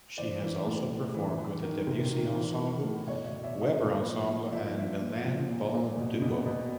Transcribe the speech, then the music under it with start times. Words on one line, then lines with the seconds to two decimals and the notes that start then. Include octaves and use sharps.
She has also performed with The Debussy Ensemble, Weber Ensemble and Milan-Ball Duo.
0.17 E3 C5 D5
0.42 E3
0.66 A2
0.90 A2
1.14 E3
1.38 E3
1.63 D#3
1.87 C3
2.11 D#3
2.35 E3
2.59 E3
2.84 A2
3.07 B2 C#5 D#5
3.26 D5 E5
3.32 B2
3.44 D5 E5
3.56 B2
3.62 D#5 F5
3.80 A#2
4.04 F3
4.29 A#2
4.52 F3 D5 E5
4.77 F3
5.01 A#2
5.25 F3
5.49 A#2
5.73 A#2
5.97 B2
6.22 B2
6.46 B2